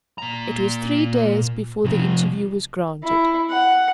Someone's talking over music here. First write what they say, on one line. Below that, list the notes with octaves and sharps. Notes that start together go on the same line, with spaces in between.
It was three days before the interview was granted.
A#2 A#5
C3 F3
E4
F#5